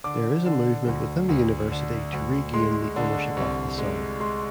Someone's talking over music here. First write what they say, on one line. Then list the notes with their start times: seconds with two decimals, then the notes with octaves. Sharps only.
There is a movement within the university to regain the ownership of the song.
0.04 D3 D6
0.46 D3
0.88 D2
1.29 D2
1.71 D3
2.13 D2
2.54 G#3 C6
2.96 D3
3.37 C2
3.78 G#3
4.20 G#3 C6